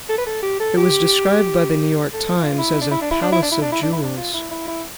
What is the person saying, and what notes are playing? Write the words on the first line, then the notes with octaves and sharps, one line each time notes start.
It was described by "The New York Times" as a "palace of jewels".
A4
B4
A4
G4
A4
G4
A4
F4
E4
D4
E4
D4
E4
D4
E4
D4
E4
D4
E4
D4
E4
D4
F4
E4
E4
E4